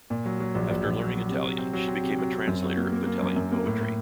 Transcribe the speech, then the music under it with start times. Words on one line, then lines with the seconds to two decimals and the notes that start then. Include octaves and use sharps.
After learning Italian, she became a translator of Italian poetry.
0.10 A#2
0.25 F#3
0.40 F#3
0.55 A#1
0.70 A#1
0.85 A#1
1.00 F#3
1.14 F#3
1.29 C3
1.44 F#3
1.58 C4
1.73 F#3
1.88 C4
2.03 C3
2.18 F#3
2.33 C4
2.48 F#2
2.62 F#3
2.77 A#3
2.92 A#3
3.07 A#3
3.22 F#2
3.36 F#2
3.52 A#3
3.66 A2
3.81 A2